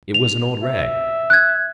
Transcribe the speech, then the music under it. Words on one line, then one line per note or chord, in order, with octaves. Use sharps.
It was an old rag.
F7
E5
F#6 G#6